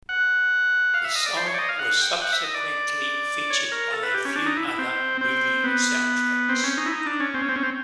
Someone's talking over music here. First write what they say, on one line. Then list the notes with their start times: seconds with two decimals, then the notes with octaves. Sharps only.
The song was subsequently featured on a few other movie soundtracks.
0.09 F#5
0.94 F5
1.04 E5
1.15 D#5
1.26 D5
1.37 C5
1.47 C#5
1.54 D5
1.59 D#5
1.69 F5
1.79 F#5
2.01 G5
2.22 F#5
2.33 E5
2.44 D#5
2.55 D5
3.50 C#5
3.72 A#4
3.93 A4
4.03 B4
4.14 G4
4.25 C#4
4.35 D4
4.46 D#4
4.57 E4
4.68 E4
4.78 C4
5.21 C4
5.64 B3
6.49 C4
6.64 C#4
6.77 D#4
6.86 E4
6.92 D#4
7.06 D4
7.20 C#4
7.34 C4
7.42 C#4
7.49 C4
7.56 C#4
7.63 C4